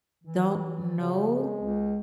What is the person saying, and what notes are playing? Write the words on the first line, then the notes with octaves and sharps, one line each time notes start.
don't know?
E3
C#3 F#3
G#3
C#2